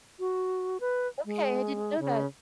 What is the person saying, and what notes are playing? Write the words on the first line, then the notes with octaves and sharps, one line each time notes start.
Okay, I didn't know that.
F#4
B4
G#3
C#3